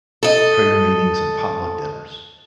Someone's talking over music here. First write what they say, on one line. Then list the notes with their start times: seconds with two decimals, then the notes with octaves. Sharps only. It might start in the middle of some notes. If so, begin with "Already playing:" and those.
prayer meetings and potluck dinners.
0.23 A4 D#5